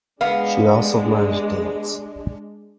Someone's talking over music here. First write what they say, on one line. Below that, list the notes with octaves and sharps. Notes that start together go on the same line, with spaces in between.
She also learned dance.
G#3 B3 D4 F5